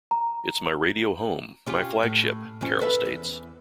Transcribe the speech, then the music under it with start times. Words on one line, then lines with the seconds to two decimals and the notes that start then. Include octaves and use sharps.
It's my radio home, my flagship, Karel states.
0.11 A#5
1.66 C#4 F4 G4
2.03 A2
2.61 F2 F3 C#4
2.80 A4 B4 E5
3.05 E2